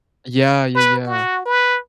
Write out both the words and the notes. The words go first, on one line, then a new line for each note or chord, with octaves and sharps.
Yeah, yeah, yeah.
B4
F#4
B4